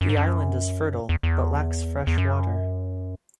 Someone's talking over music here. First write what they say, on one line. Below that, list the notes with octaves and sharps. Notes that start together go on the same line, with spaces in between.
The island is fertile, but lacks fresh water.
F#2
G#2
F#2
E2
E2
E2
F#2